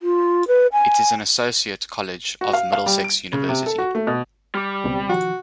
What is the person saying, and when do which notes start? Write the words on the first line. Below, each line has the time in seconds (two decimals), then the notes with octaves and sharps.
It is an associate college of Middlesex University.
0.01 F4
0.48 B4
0.72 G#5
2.41 F#4
2.53 F5
2.72 F5
2.86 G3
3.04 D7
3.33 C#3
3.49 C3
3.66 A4
3.78 F#4
3.95 A3
4.07 B2
4.55 G3 D6 F6
4.84 C#2 B2 C4
5.09 D#3 F3 F#4